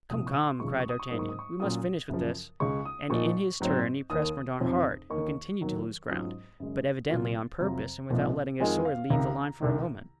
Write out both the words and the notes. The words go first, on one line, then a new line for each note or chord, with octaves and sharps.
"Come, come," cried D'Artagnan, "we must finish with this," and in his turn he pressed Mordaunt hard, who continued to lose ground, but evidently on purpose and without letting his sword leave the line for a moment.
C2 A#2 F3 D#6
C#6
C6
C#2 C#3 F3 G#3 C#6
D#6
C#6
D#6
C#6
G#2 F#3 A#3 D#6
C#6
D#6
C#6
A#2 F#3 C#4 F4 D#6
F#2 C#3 F3
C#2 C#3 G#3 C#6
D#6
A#2 F3 A#3 D#4 C#6
G#2 F#3 C4
D#2 D#3 A#3 D#6
F1 F2 C3 F3 C4
D#2 D#3 A#3 D#4 C#6
D#2 D#3 F#3
G#2 F#3 C#4 F4 D#6
F#2 C#3 G#3
C2 A#2 F#3 A#3 F4
F2 C3 F#3 C4 F4 A#5
C2 A#2 F3 C4 D#4
F2 D#3 G#3 C4 F4 G#5
F5
C#2 C3 D#3 A#5
C2 C3 D#3